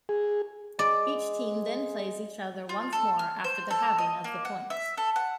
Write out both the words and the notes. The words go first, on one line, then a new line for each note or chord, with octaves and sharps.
Each team then plays each other once more after the halving of the points.
G#4
G#3 D5
F4
A4
F6
C5
A4
D#5
A#3
F#5
E5
A4
F#5